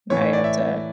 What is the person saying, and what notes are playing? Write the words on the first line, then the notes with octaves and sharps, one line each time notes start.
now I have to
A2 E3 A3 C#5
C#5
D5
E5